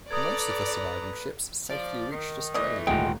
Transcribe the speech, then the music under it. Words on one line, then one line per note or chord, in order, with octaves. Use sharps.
Most of the surviving ships safely reached Australia.
A4 B4 D5 A#5 D#6 G#6
F3 D5
D#3
E3 A3 D5 D#5
D#1 G#1 D2 G#3 F4 F#5 G5